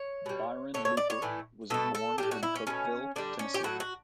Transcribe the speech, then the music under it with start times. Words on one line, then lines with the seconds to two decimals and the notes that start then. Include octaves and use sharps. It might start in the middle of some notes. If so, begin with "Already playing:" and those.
Byron Looper was born in Cookeville, Tennessee.
Already playing: C#5
0.26 B2 G3
0.74 D3 A3 C#5
0.85 C#5
0.97 D5
1.10 C#5
1.22 A2 E3 A3
1.70 B2 F#3 A3 A4
1.95 A4
2.18 A2 G3 G4
2.31 F#4
2.43 E4
2.55 C#4
2.67 B2 F#3 A3 C#4
3.16 D3 G3 D4
3.39 C#4
3.54 G4
3.63 A2 F#3 A3 F#4
3.80 F#4